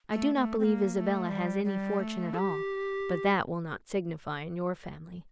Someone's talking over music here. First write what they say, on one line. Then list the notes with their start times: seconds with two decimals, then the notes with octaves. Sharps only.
I do not believe Isabella has any fortune at all: but that will not signify in your family.
0.13 A3
0.35 A#3
0.39 A3
0.59 C4
0.64 A#3
0.94 A#3
0.98 A3
1.29 G3
1.64 G3
1.99 A3
2.34 A4
2.38 G4